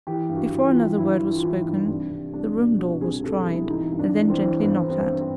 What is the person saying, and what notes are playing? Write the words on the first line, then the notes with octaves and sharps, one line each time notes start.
Before another word was spoken the room door was tried, and then gently knocked at.
E3 G4
G2
F#4
E3
F4
E3
G2 E4
E3
E4
F4
E3 E4
D#4
G2
C2 D4
C2
C2 D4
B2
B2 F#4
C2 G#4
C2 A4
B2 E4
E3 D#4
G2
D4
E3
C4
E3
G2 B3
G2
C4
G2
C4